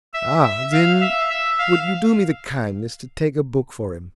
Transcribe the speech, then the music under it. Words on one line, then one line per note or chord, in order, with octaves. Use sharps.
'Ah, then would you do me the kindness to take a book for him?
E5
E5
F5
E5
E5
F5